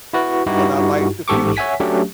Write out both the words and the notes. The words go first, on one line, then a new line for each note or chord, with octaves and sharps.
and I like The Future,
E4 F#4 B4
G2 D#4 E4 F#4 G4
A1 G#2 G4 A4 C#6 D6
C#5 E5 F#5 G#5 B6
F#3 A3 C#4 D4 G4